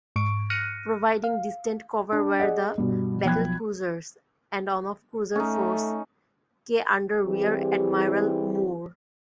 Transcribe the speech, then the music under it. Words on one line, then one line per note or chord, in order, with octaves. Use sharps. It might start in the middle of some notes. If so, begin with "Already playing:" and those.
Providing distant cover were the battlecruisers and of Cruiser Force K under Rear-Admiral Moore.
G#2 C#6 D7
F6 F#6 A#6 C#7 D#7
F5
D4
G#4 D5 D#5 F#5
G2 B2
B1 F3 G5 B5 F#6 G#6
A3 C#4 D#4
E3 G3 C4 E4 G4 G#4